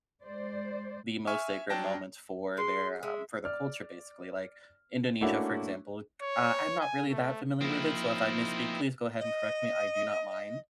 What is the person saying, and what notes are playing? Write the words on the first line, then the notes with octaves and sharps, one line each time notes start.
the most sacred moments for their, um, for their culture basically. Like Indonesia, for example, uh, I'm not really that familiar with it, so if I misspeak, please go ahead and correct me, I do not mind.
G#3 C5 D5
E5 G#5 C#6 F6
F#3 D4 G5 A5 A#6
G#3 C6
G#3 E5
D5 F6
A3 A#3 C#4 D4 E4 F#4
C#5
G#5
A3
F3 A#3 C4 D#4 E4
D#5